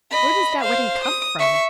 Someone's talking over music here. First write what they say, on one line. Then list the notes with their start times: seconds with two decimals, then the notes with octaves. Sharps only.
"Where does that wedding come from?"
0.11 D#5 B5
0.60 C5 F5
1.04 D#6
1.39 E5 C#6